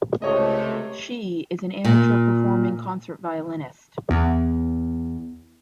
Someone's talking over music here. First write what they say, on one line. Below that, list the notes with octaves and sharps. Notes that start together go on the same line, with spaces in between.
Shi is an amateur performing concert violinist.
C#2 C3 A3 G4 C#5 D#5
A#2
E2